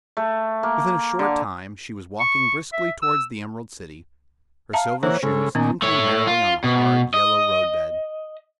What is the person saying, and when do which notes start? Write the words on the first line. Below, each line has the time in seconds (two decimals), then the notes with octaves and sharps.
Within a short time she was walking briskly toward the Emerald City, her silver shoes tinkling merrily on the hard, yellow road-bed.
0.17 A3
0.63 A#3
1.19 D3
2.20 C#6
2.73 E5
3.02 E6
4.73 E5 F5 A5 A#5
5.03 E3 A#3 C5 C#5 F#5
5.23 C#3 G#3 A4
5.55 A#2 D#3 B3 C#4 G#5
5.82 A3 C#5
6.27 F4
6.64 B2
7.14 D#5